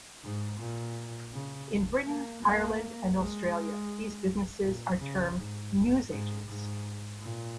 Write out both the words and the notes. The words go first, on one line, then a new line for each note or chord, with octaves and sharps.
In Britain, Ireland and Australia, these businesses are termed "newsagents".
G#2
A#2
C#3
A#3
A#3
G#3
A#2
C#3
G#2
G#2
G#2
A#2